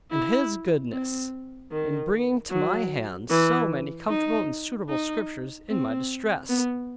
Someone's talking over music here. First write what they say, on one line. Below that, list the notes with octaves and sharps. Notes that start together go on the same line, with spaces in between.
And His goodness in bringing to my hand so many comfortable and suitable scriptures in my distress.
E4
C4
D#3
F#3
E3
D#4
D#4
C4
B3